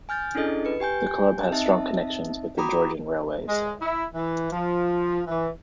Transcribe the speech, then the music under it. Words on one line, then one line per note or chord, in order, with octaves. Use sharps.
The club has strong connections with the Georgian Railways.
G#5 F6 G6 A6
C#4 D4 E4 G#4 A4 D#5
B4 C#7
G4 G5 G#5 G6
C4 D#4 D#5 E5 A5
F#4 G5 A#5 B5 D6 D#6
G#3
E4
E3
F3
E3